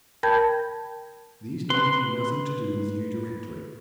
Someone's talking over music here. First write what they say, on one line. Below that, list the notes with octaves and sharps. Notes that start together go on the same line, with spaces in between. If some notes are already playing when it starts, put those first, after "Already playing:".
These need be nothing to do with you directly.
A#4 G5 A5 B5 G6 G#6
B4 C6